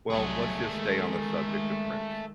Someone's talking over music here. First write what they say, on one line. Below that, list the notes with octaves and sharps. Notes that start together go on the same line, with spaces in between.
Well, let's just stay on the subject of Prince,
C2 F#3 A3 G#4
D#3 G#3